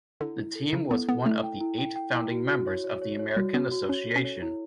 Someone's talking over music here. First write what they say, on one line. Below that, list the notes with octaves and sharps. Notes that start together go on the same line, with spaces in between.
The team was one of the eight founding members of the American Association.
D3 E4
E4
A4
C#3 E4
B3 A4
B3 A4
A3 E4
G5
E4
G5
G5
E4
F#4
F#4
C#5
C#5
C#5
C#5
G3 F#4
B3 F#4
F#4
C#4 C#5
A4
C#4
C#5
E4